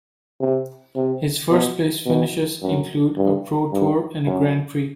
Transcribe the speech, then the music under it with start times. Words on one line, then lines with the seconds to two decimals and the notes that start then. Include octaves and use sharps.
His first-place finishes include a Pro Tour and a Grand Prix.
0.41 C3
0.96 C3
1.51 B2
2.06 B2
2.62 F#2
3.17 G2
3.72 G2
4.27 F#2